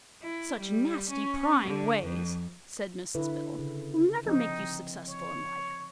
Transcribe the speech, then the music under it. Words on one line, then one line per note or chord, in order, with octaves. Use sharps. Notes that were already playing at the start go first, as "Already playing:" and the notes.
'Such nasty, prying ways,' said Mrs Biddle, 'will never make you successful in life.
E4
G3
C#4
D3
F2
D3 E4 B4
C#3
F3 C4 D#4 D#5
C#5